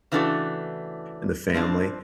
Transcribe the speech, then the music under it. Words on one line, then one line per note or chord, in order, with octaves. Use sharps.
and the family.
C#3 E3 A3 D4 F#4 A4
F3 C4 D4